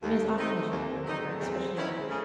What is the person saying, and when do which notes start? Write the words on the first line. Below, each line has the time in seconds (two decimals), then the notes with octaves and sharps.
mean, as often as you can remember, especially in that
0.02 D#2 A3
0.18 A3
0.26 C4
0.37 D#3 A3 D#4
0.71 D#2 C4
1.04 D#3 F#3 A3 D#4
1.16 G#3
1.28 A3
1.40 E2 C4
1.75 D#3 F#3 C#4 E4
1.98 G#3
2.09 C#3 A3